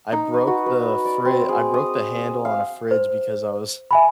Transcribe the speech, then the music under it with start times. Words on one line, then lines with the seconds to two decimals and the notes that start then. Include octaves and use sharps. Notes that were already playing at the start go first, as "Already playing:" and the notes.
I broke the fri I broke the handle on a fridge, because I was
0.12 D#4
0.34 B4
0.47 F#4
0.66 B4
1.05 D5
1.25 C4
1.49 G#4
1.74 D#6
2.45 F5
2.91 C5
3.91 E5 G#5 B5